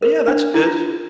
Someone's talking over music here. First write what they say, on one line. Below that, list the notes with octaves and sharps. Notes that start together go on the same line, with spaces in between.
Yeah, that's good.
A#4
D4
E4
F4